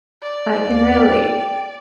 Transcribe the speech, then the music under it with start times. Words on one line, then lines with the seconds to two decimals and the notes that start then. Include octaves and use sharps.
I can relate.
0.22 D5
0.67 D#2 A#3
0.97 G5